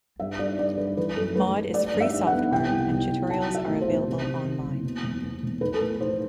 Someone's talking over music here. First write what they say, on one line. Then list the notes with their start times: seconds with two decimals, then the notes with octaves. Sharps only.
Maude is free software, and tutorials are available online.
0.20 G2 E5
0.39 G2 D5
0.58 G2 D5
0.77 G2 B4
0.97 E3 B4
1.16 F#2 A4
1.35 A3 B4
1.56 A3
1.74 G3 D5
1.94 G2
2.01 E5
2.13 G2
2.27 F#5
2.33 B3
2.52 C2 G5
2.71 C2
2.91 C2
3.10 C2
3.29 B1 A5
3.49 F#3
3.55 E5
3.68 A2
3.81 C5
3.88 B1
4.07 C3
4.26 C3
4.45 C3
4.65 F#1
4.84 B2
5.03 E1
5.23 B2
5.43 E1
5.61 B1 B4
5.74 A4
5.80 A2 B4
5.99 B1 C5